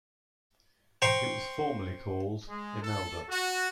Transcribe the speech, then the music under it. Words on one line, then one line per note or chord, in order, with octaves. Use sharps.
It was formerly called Imelda.
C5 G5 A#5 C#6
G#3
A4
F#4